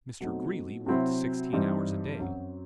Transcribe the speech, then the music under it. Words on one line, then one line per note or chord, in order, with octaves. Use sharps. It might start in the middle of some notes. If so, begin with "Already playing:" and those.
Mr. Greeley worked sixteen hours a day.
B2 F#3 A3 C4 D#4
C3 F#3 C4 E4
G2 E3 G3 C4 D#4
F#2 F#3 C4